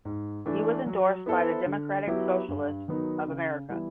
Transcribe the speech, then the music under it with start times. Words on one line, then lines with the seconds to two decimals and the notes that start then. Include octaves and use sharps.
He was endorsed by the Democratic Socialists of America.
0.05 G#2
0.46 E3 A3 D4
0.86 F#3
1.26 B3 E4 A4 C5
1.66 D3
2.07 F#3 B3 E4 G4
2.48 G2
2.88 D#3 F#3 B3 D#4
3.28 C#3
3.69 E3 G3 B3 E4